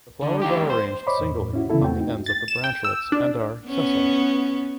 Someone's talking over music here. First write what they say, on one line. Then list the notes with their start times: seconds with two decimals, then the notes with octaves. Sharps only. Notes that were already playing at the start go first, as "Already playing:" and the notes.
The flowers are arranged singly on the ends of the branchlets and are sessile.
0.22 D3
0.41 D#4 G4
0.56 E2 G#2
0.70 C5
1.07 C5 C#5 D#5 B5 D6
1.20 E2 A2
1.53 C#4 E4 F#4
1.70 C#3 E3 B3 E4 A4
1.81 E2 A3 C4 F#4 G5
2.00 D#4
2.26 A6
2.48 E7
2.64 G5
2.84 E6
3.12 D4
3.67 B3 C#4